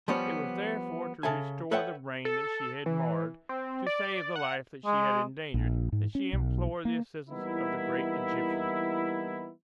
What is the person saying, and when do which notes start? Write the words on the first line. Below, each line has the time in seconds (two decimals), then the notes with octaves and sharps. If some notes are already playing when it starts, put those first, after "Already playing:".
It was therefore to restore the brain that she had marred, to save the life that she had endangered that she implored the assistance of the great Egyptian.
0.08 F3 G3 B3 C#4 C#5
1.23 C#3 A4 E5 G#5
1.71 A4 B4 C#5 E5 F#5 G5
2.25 A4
2.86 E3
3.49 C4
3.87 D5
4.36 F#5
4.86 G#3
5.54 A#1
5.92 G#2
6.15 C#4
6.33 B1
6.85 A#3
7.29 E3 G3 A#3 B3 D#4 E4